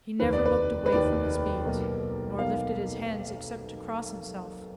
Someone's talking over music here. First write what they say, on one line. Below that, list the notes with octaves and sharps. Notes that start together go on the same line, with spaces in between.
He never looked away from his beads, nor lifted his hands except to cross himself.
F1 D#2 D#3 B4
D5
B4
B4
F1 D#2 D#3 D5
B1 B2 A#3
B1 B2 A#3 F5